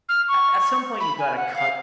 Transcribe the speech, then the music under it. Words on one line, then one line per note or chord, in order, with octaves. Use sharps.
a at some point, you gotta cut
F6
C#6
B5
G#5
F#5
F5